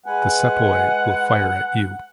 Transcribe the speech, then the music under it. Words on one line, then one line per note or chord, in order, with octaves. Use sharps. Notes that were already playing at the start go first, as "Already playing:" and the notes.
The sepoy will fire at you!
G#3 B4 F#5 G#5